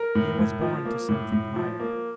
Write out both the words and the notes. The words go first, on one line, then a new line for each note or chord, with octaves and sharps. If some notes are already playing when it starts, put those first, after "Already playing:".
He was born to something higher.
Already playing: A#4
A2
A2
F3
A#3
A2
A2
F3
A#3